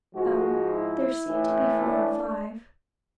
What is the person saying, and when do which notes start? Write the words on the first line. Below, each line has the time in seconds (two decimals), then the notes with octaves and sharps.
Oh--there seem to be four or five.
0.14 G#2 F3 G#3 F#4
0.70 E4
1.26 A2 E3 A3
1.81 D4